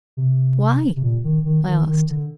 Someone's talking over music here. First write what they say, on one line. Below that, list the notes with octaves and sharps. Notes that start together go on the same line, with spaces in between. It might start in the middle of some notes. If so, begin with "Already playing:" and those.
"Why?" I asked.
C3
C3
A#2
D#3
D#3
D#3
D#3
D3